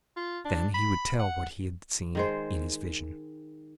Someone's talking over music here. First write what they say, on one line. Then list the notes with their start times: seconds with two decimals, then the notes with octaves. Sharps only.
Then he would tell what he had seen in his vision.
0.16 F4
0.45 D4
0.74 B5
1.19 F#5
2.15 D#3 G#3 C5